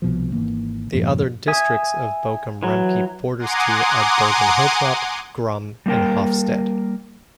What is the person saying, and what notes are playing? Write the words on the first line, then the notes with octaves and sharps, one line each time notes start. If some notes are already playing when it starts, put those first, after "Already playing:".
The other districts of Bochum, Riemke borders to are Bergen-Hiltrop, Grumme and Hofstede.
C2 B2 F3
G#1 G#2 E3 A#3
E2 G2 A#2 F3
E5 G#5 D#6
E3 F#3
F#5 G#5 A#5 C6 D6 D#6
G3 A#3 E4 A#4 G5